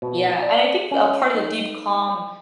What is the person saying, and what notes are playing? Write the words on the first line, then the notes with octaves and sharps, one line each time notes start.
Yeah, and I think a part of the deep calm,
B2
D5
C#4
D#4